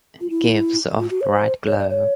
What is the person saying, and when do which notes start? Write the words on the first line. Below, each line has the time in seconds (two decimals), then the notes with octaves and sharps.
Gives of bright glow.
0.21 F4
0.30 E4
0.99 F4
1.10 F#4
1.21 C#5
1.26 C5
1.67 C#5
1.79 D5
1.90 C#5